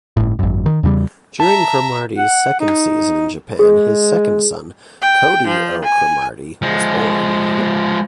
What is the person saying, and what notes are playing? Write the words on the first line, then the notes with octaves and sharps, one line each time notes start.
During Cromartie's second season in Japan, his second son, Cody Oh Cromartie, was born.
G1 A2
G#1 F#2
D#3
E2 C#3 G3
E5 A5 A#5
F#5
D#4
G#3 G#4
G5
F3
G#5
F3 G#3